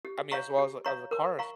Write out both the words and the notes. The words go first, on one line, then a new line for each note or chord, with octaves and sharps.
I mean, as well as the as the cars
G4
C#5 F5 A#5 C#6
G4
C#5 F5 A#5 C#6
A#4
F5 A#5 C#6